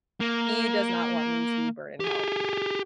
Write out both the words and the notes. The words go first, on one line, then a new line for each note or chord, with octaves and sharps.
he does not want me to burn in hell.
A#3
G4 G#4